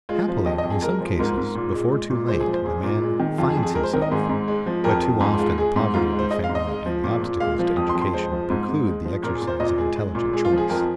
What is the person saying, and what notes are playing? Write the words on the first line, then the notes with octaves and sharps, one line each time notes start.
Happily in some cases, before too late, the man "finds himself," but too often the poverty of the family and the obstacles to education preclude the exercise of intelligent choice.
G#3 F4
F3
F2 D#5
D#5
F2
G#4
G#3 A#4
F3
G#2 A#4
G#2
A#2
G#3
G#3
A#2
G#3 C5
G#4
F3
C5
A#2 G#4
A#2
G#3
D#3
F2 F4
G#4
F2
G#4
G#3 A#4
C5
D#3 A#4
D#5
G#2 G#4
G#2
G#3
F3
F2 A#4
F2
G#2 G#4
G#3 F4
G#3 G#4
G#2
G#2 F4
G#3
C5
G#3 D#5
F5
G#2
D#5
G#3
F3
A#2
A#2
G#3 F5
F3
F2 D#6
C6
F2
C6
G#3 C5
F3
G#2
G#2
G#3
F3
A#2 A#4
G#4
A#2
C5
A#2 D#5
G#3 G#4
G#3
A#2
G#3 G#4
F4
F3
G#4
F2 A#4